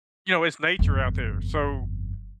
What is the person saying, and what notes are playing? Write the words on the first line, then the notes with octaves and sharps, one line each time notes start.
You know, it's nature out there, so
G1 F2